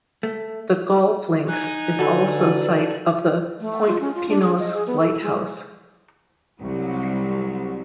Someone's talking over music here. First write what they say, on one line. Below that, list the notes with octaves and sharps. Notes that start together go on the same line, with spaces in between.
The golf links is also site of the Point Pinos Lighthouse.
A3
D#4 G#5 F#6
D3 F#4 A4 B4 D5
A3
F4
C#4
F4
D4
G#4
D#5
G#4
B3
A4
G#3
C2 F#3